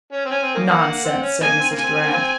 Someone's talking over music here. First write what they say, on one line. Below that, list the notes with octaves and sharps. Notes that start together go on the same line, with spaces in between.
"Nonsense," said Mrs. Durrant.
C#4
C4
C#4 G#5
C4
D#3 A#3
F#5
C4
C#4
D#3 A#3 G#5
C4
A#3
G#5
C4
A#3
C4